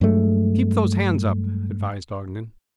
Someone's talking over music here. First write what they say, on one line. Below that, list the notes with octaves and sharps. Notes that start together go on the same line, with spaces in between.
"Keep those hands up!" advised Ogden.
G2 F#3 G#3 A3